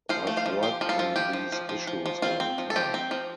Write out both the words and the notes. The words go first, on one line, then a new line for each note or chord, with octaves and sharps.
I’ve worked on these issues a long time.
F3 C5 F5
A3
C5 F5
F3
F3 G4 C5
F3
F4 A4
F3
F3 G4
F3
F3
F3
F3
F3
C4 F4
C4
F3
A4
F3 G4
C4
F3